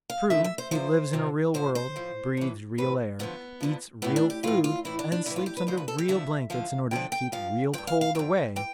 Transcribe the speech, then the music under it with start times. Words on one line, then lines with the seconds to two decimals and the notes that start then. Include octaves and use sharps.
True, he lives in a real world, breathes real air, eats real food, and sleeps under real blankets, in order to keep real cold away.
0.10 F5
0.30 D2 D3 F3 E5
0.44 E5
0.58 C5
0.71 E2 C3 F3 C5
1.13 E2 C3 F3
1.54 A2 F3 C5
1.75 C5
1.96 A2 F3
2.37 A2 E3
2.78 A2 E3 B4
3.19 D2 D3 F3 B3
3.61 D2 D3 F3
4.02 A2 E3 B3
4.16 D4
4.30 G4
4.43 A2 E3 F4
4.64 F4
4.85 A2 E3 E4
4.99 D4
5.12 D4
5.26 A2 E4
5.30 E3
5.36 F4
5.46 G4
5.57 B4
5.67 D2 D3 F3 C5
5.77 B4
5.88 A4
5.98 G4
6.08 D2 D3 F3 E5
6.50 D2 D3 F3 F5
6.91 D2 D3 F3 G5
7.12 G5
7.32 G2 F3 F5
7.73 G2 F3 G5
7.87 F5
8.01 F5
8.15 F2 E3 G5
8.56 E3 G5